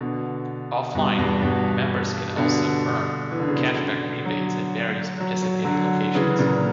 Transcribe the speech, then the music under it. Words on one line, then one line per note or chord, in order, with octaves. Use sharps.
Offline, members can also earn cash back rebates at various participating locations.
B2 D3
G2 B2
E2 G2
G2 B2
B2 D3
E3
D3
C#3
B2 D3
D3 F#3
F#3
F#3
D3 F#3
C#3 E3
A#2 C#3